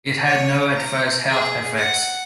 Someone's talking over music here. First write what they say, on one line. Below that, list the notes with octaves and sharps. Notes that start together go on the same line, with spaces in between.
It had no adverse health effects.
C#5
A#5
G#4
F#5